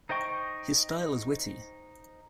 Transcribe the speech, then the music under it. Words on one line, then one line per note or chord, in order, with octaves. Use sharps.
His style is witty.
D#4 C5 D#5 G5 C#6